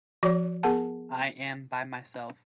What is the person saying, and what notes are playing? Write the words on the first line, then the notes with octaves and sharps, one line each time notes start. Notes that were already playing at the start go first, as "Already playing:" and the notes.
I am by myself.
F3 F#4 C#5 D5 D6
B3 G#4 A#4 F#5 A5